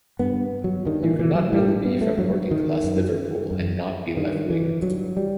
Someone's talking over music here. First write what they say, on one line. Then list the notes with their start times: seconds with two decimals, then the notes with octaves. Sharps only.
You could not really be from working-class Liverpool and not be left-wing.
0.19 G2 B3
0.64 F#3
0.85 G2 D#3
1.03 E3
1.19 E3
1.35 F#3
1.53 G2 G3
1.85 B3
2.01 A3
2.18 G2 F#3
2.51 D#3
2.84 F#2
3.51 F#2
4.16 G2 D#3
4.50 E3
4.82 G2 F#3
5.17 G3